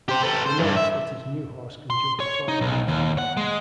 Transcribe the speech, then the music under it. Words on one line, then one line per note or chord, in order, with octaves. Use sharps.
He notes that his new horse can jump a four-rail fence.
G4 C5
A4 B4
C5
E2 G2
E5
C6
C#5
D#4
B1
D#2
F#5
G#3